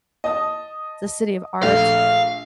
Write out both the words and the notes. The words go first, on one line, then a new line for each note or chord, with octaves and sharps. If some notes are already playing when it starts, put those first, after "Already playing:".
the city of art.
D#5 A5 D#6
A#1 A3 F5